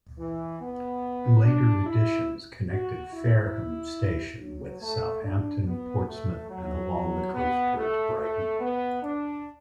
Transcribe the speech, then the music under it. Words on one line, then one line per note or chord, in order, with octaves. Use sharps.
Later additions connected Fareham station with Southampton, Portsmouth and along the coast towards Brighton.
E3
B3
D4
E4
F#4
E4
F#3
A3
D4
B3
A3
F#3
B3
A3
A3
B3
D4